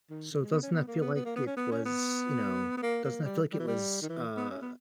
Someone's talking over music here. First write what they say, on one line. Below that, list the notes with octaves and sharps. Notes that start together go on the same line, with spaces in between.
So, doesn't that feel like it was, you know doesn't that feel like it was, uh,
D#3
C#3
G#3
B3
C#4
B3
A#3
B3
B3
A#3
B3
C#4
B3
C#4
B3
B3
A#3
A#3
G3
G3
E3
G3
D#3
E3
B3
C#4
B3